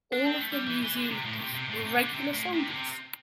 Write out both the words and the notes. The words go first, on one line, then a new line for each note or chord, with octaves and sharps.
All of the New Zealanders were regular soldiers.
D4
C4
A3
G3
E3
E3
D3
C3
A2
C3
C3
A2
C3
D3
C3
A2
C3
D3
C3